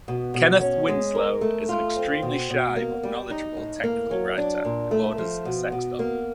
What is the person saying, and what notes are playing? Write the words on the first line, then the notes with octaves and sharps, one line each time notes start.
Kenneth Winslow is an extremely shy but knowledgeable technical writer who orders a sex-doll.
B2
B2
C#4
G#3
A#4
A3
F4
C4
B2
B2
A#3
G3
D#4
A2
A#3
F#3
D4
A#2
A3
F3
B2
B2
A#3